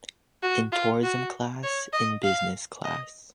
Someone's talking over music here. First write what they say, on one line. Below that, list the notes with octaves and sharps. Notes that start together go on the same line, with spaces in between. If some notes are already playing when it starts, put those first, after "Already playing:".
In tourism class, in business class.
F#4
F4
F#4
C#5
D#5
F5
D#5